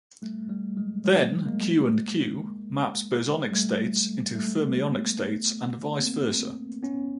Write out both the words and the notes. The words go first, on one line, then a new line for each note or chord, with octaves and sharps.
Then, "Q" and "Q" maps "bosonic" states into "fermionic" states and vice versa.
G3 A3
G3 A3
F#3 G#3
F#3 G#3
G#3 A#3
G3 A3
G3 A3
G#3 A#3
A3 B3
A#3 C4
B3 C#4